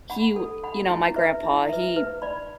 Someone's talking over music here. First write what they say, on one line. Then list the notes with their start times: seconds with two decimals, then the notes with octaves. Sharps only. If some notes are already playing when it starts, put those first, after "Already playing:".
he, w you know, my grandpa, he
0.10 F#5 B5
0.36 A4
0.64 F#5 B5
0.90 E4
1.16 B4 E5
1.43 E4
1.69 B4 E5
1.96 B4
2.22 D5 B5